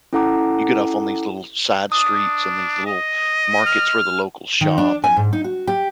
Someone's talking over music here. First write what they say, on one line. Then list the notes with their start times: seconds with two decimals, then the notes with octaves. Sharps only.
you get off on these little side streets and these little markets where the locals shop, and
0.13 C#4 E4 A4 F#5 A#5 D6
1.92 D4 D#6
2.86 D#5
3.65 F6
4.61 D#3
4.78 D4
5.04 G#5
5.16 G#2
5.33 D#4
5.44 F#4
5.67 G4